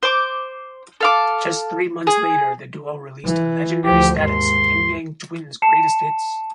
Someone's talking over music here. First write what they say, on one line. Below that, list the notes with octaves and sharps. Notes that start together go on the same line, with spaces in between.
Just three months later, the duo released Legendary Status: Ying Yang Twins Greatest Hits.
C5 D6
A4 F5 D6
G#4
E3
D2 F3 G4
D#2 G#2 C6
A5 C7 C#7 E7